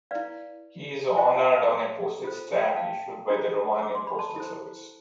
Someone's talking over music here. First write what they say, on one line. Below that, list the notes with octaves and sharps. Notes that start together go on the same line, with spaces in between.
He is honored on a postage stamp issued by the Romanian Postal Service.
E4 B4 D5 F5
F4 C5 E5 G5
F5 A5
F5 A5
F4 A4 C5
F5
G5
F5 A5
D4 F4 A4 C5
D6
C6
B5
A5 C6
E4 A4 C5